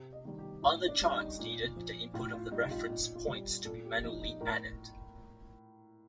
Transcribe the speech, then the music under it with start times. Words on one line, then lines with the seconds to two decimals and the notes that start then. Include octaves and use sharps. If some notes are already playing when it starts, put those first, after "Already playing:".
Other charts needed the input of the reference points to be manually added.
Already playing: C3
0.13 D#5
0.25 D#3 G3
0.38 G4
0.62 A2 D#4
0.88 D4
1.01 G3
1.13 D#4
1.39 A#2
1.76 F3
2.14 A2 F4
2.33 F4
2.52 G3 D#4
2.71 F4
2.89 A#2 D#4
3.15 F4
3.27 G3
3.65 A#2 A4
3.84 G4
4.03 F3 D#4
4.22 D#4
4.41 A2 A#4